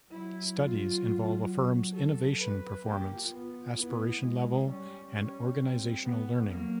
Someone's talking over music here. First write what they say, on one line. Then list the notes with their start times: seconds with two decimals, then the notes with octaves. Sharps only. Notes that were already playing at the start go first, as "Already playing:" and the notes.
Studies involve a firm's innovation performance, aspiration level, and organizational learning.
0.10 F#3 E4
0.57 F4
1.93 A4
2.38 B4
2.84 A#3 G4
3.15 F4
3.31 B3
3.45 F4
3.75 B3 E4
4.21 G#3
4.67 G3 C#4
5.13 C#4
5.58 C4
6.04 B3
6.49 F#3 A#3